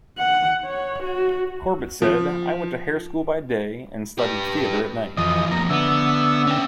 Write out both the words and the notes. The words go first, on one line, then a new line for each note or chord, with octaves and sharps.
Corbett said, I went to hair school by day and studied theatre at night.
F#5
C#5
F#4
F3
G4 B4
F2 E3 F4 D#5
B2 F3 A#5
D3 B3 E5
C#4 G5